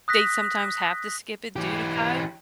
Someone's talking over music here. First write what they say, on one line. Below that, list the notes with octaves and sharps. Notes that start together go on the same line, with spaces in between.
they sometimes have to skip it due to time.
D#6 F#6 A#6 B6
E3 G4